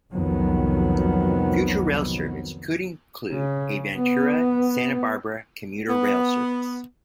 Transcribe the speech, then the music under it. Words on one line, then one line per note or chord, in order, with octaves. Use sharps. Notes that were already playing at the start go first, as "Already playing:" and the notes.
Future rail service could include a Ventura-Santa Barbara commuter rail service.
C2 F2 D#3 F#3 B3
C#3
B3
B3